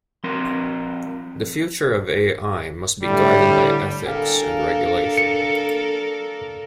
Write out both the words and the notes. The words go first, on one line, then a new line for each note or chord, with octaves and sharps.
The future of A-I must be guided by Ethics and Regulation.
F3 C4 A#4 C6
A2 D3 G3
D4 A4 A#4 F5 G5 G#5
C#7